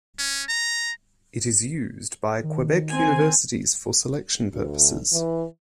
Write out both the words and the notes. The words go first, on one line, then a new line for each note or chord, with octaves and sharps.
It is used by Quebec universities for selection purposes.
C#4
A#5
D#3
C4 G#5
D2
E3